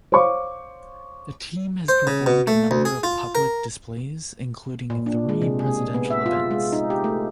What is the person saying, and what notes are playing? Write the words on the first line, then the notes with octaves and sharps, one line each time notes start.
The team has performed a number of public displays including three presidential events.
C5 C#5 F5 C#6 D6
C5
C#3
B2
A3
D2
G#4
F4
A#4
A#2
D4
G#3
C3
G#4
B3
E5
F4
G#3
D#4
G4
A3